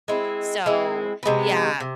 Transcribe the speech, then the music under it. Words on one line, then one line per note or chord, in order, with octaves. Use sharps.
So, yeah.
G#3 C4 E4
G#3 C4 E4
C3 G#3 B3
C3